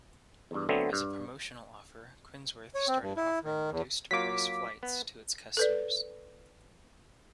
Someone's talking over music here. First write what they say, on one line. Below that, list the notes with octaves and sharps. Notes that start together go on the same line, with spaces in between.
As a promotional offer, Quinnsworth started offering reduced-price flights to its customers.
E2 G2
D3 F#3 A3 B3 C4
G2
C#5
C4
G2
E4
D#3
E2
F#3 A#3 F4 D6 B6
B3
A4 B4 D5